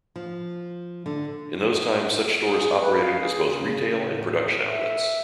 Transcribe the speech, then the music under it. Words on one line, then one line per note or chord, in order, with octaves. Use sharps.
In those times such stores operated as both retail and production outlets.
F3
D3
G#4
B4
F5
G#4
C#3
A2
E5